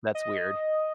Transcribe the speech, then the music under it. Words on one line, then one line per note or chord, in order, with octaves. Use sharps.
That's weird.
D#5